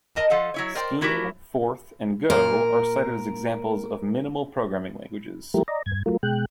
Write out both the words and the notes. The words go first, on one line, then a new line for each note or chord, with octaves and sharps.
Scheme, Forth, and Go are cited as examples of minimal programming languages.
A#4 D#5 A5
F3 A4 F5 F#5
F#3 E4 C#5
A#4 C5 D5 G5
A3 E4 F#4 G4 A#4
A#2 A#3 A#4
F3 G3 A3 E4 G4 A#4
D5 D#5 A#5
G2 G#6
F#3 A3 F4 A#4
B2 G#3 G5 F#6